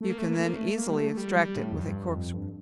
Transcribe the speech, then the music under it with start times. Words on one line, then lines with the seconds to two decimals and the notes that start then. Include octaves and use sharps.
You can then easily extract it with a corkscrew.
0.01 A3
0.10 A#3
0.18 A3
0.29 A#3
0.37 A3
0.47 A#3
0.56 A3
0.78 A#3
0.88 G3
0.98 A3
1.13 A3
1.17 G3
1.36 G3
1.56 A2
1.73 F2
1.82 G2
2.09 F2
2.34 G2